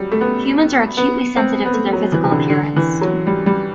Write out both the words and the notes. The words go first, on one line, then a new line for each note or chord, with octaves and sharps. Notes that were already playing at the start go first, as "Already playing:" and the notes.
Humans are acutely sensitive to their physical appearance.
Already playing: F#3 G3
A3
B3
B3
C4
B3
A3
F#3
E3
C3
D3
D3
E3
F#3
G3
G3